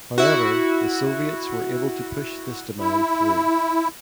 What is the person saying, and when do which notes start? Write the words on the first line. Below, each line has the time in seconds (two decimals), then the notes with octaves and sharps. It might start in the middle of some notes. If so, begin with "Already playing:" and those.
However, the Soviets were able to push this demand through.
0.18 E4 F#4
2.80 E4